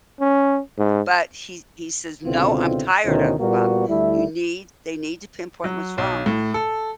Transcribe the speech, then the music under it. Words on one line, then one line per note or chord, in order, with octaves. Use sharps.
but he he says, "No, I'm tired of it mom you need they need to pinpoint what's wrong."
C#4
G#2
C#2 B2 D3 C4 E4 F4
D2 B2 D#3 C#4 E4 C5
A#2 G3 A#3 B3 F#4
D2 G3 A3 E4
F#3
B1
A2
A4